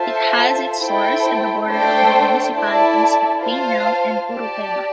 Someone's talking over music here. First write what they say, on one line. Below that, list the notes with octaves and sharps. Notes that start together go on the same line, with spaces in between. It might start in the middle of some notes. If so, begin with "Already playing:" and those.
It has its source at the border of the municipalities of Painel and Urupema.
Already playing: F4 A4 C5 E5 A5
E4 A4 C5 G5
A3 D4 A4 C5 G5
E4 A4 D5 A5
F4 C5 F5 A5
G4 D5 A5